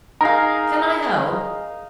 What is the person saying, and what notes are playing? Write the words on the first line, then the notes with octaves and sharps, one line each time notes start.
"Can I help?"
D#4 G#4 A#4 F5 A#5